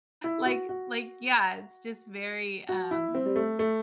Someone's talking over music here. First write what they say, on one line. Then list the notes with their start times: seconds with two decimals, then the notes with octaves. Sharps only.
like like yeah, it's just very, um-
0.24 E4
0.46 F#4
0.69 F#4
2.69 F#4
2.91 E4
3.15 C4
3.26 G3
3.36 A3
3.59 A3